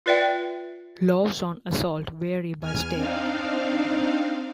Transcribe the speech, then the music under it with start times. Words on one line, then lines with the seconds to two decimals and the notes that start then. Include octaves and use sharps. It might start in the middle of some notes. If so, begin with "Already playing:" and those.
Laws on assault vary by state.
0.06 F4 B4 D5 E5 G5
2.59 E2 G#5 F6
2.94 C4 D4 D#4 F5